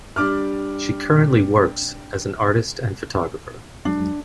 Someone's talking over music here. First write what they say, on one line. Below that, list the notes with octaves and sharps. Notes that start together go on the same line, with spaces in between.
She currently works as an artist and photographer.
G3 D4 D6 F6
F2 F#3 G#3 D4